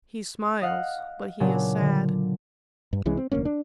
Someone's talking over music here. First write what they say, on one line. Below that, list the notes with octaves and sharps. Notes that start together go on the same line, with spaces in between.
He smiles, but he is sad.
D#5 F5 F#5
A#2 C#3 F#3 B3 C#4 D4
D3
G2
C2 E3 G#3 C#4
C4
F1 D2 A#3 C#4
D4